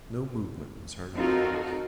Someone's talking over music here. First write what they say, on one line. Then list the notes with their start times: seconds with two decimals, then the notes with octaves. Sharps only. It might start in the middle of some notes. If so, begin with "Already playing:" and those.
No movement was heard in the house.
1.15 C4 D#4 F4 F#4 A4 A#4